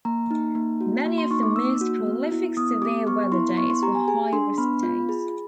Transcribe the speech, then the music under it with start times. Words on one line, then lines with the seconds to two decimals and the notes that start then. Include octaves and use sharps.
Many of the most prolific severe weather days were high risk days.
0.05 A#3 A#5
0.31 D#4
0.55 A#3
0.81 F#4
1.06 A#3
1.18 C6
1.31 D#4 C#6
1.43 D6
1.56 A#3 E6
1.81 F#4
2.06 B3
2.32 E4
2.57 B3 D#6
2.82 G4 D6
3.07 B3 C#6
3.32 E4 C6
3.57 B3 C#6
3.70 C6
3.83 G4 A#5
3.95 G#5
4.08 G#4 G#5
4.33 D4 C6
4.58 B3 B5
4.83 F4
5.09 G#4